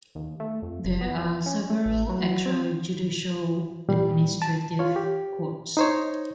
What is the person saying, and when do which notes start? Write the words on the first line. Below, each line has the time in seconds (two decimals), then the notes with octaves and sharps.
There are also several extrajudicial administrative courts.
0.15 D#2
0.40 A3
0.62 F2
0.85 F#1
1.01 B3
1.18 E2
1.46 C#4
1.70 A3
1.86 A1
2.09 F#3
2.46 C4
3.89 A#2 G3
4.42 A5
4.79 F4 C#5
4.96 G4
5.77 D#4 C5 C#5